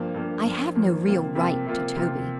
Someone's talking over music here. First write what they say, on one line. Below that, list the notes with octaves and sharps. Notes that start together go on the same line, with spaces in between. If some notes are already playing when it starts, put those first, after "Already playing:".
I have no real right to Toby.
Already playing: G2 F3 A#3
G2 F3 A#3
G2 F3 A#3
G2 F3 A#3
C3 A#3 F4
C3 A#3 F4
C3 A#3 F4
C3 A#3 F4